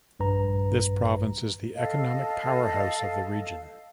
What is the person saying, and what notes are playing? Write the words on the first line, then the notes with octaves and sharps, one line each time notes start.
This province is the economic powerhouse of the region.
A#1 G2 B4 A#5
A4 D#5 F5